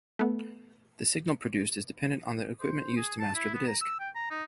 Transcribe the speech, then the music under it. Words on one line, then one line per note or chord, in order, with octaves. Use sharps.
The signal produced is dependent on the equipment used to master the disc.
A3 B3
C5
G#4
A5
E4
B3
A#5
E6
G5
A#5
D#4